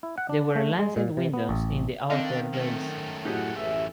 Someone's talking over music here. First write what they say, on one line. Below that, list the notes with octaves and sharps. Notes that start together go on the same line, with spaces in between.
There were lancet windows in the outer bays.
E4
F#5
D4
A3
G#3
A#2
C3
B3
A1
D3 D#3 C4 D4 D#5 F5
F#2 A3
A2 F#3 D#4 G4 G#4 F#5
A1 E5